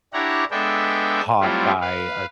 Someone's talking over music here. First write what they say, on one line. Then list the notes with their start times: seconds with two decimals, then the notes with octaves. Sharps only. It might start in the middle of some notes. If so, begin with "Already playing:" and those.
taught by a
0.13 D4 E4 G4 C#5 F#5 A#5
0.51 G#3 B3 D4 A4 E5 G5
1.40 F#3 G3 A3 C4 E4 F4
1.81 B4 F5